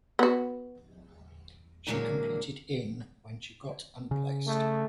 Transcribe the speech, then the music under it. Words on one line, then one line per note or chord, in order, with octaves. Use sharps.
She competed in when she got unplaced.
B3 F#4
A#2 D3 E3 F#3 G#3 A#3
C#3
A3